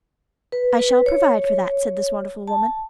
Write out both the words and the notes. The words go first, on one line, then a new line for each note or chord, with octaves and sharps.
"I shall provide for that," said this wonderful woman.
B4
B4
C#5
A5